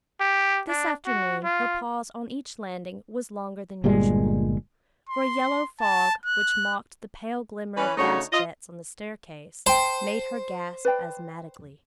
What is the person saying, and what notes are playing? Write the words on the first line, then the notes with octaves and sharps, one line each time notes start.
This afternoon her pause on each landing was longer than usual, for a yellow fog, which mocked the pale glimmer of gas-jets on the staircase, made her gasp asthmatically.
G4
D4
F#4
F4
G1 A#2 G3 G#3
C6
A5
F#6
E3 C#4 B4
C#3 A3 D4 D#4 F#4 C#5
F4 D#5
C5 G5 A5
B4 D5 G5